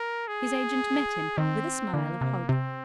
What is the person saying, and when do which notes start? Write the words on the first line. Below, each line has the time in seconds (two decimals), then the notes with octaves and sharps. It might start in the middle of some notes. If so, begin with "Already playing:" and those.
His agent met him with a smile of hope.
Already playing: A#4
0.28 G#4
1.38 D#3 C4
1.94 D3 A#3
2.21 C3
2.49 C3 C4